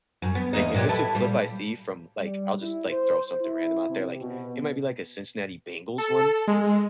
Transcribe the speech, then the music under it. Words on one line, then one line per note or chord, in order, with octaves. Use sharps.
Like, if it's a clip I see from, like, I'll just like throw something random out there, like, it might be like a Cincinnati Bengals one,
F#2
B3
E2 A#3 D#4
A#2 F#3 G4
E4 A4 B4
A#2 G3
G3
E4
C5
E4
C3
B2
A4
G#3